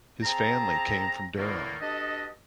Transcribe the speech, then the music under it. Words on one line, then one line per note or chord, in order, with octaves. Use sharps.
His family came from Durham.
C4 G#4 A5 A#5
E2 A2 D#3 A3 A#3
B2 D4 G4 A4 D#5